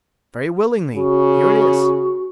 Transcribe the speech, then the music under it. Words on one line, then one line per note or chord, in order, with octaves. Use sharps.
"Very willingly; here it is."
C#3 F#4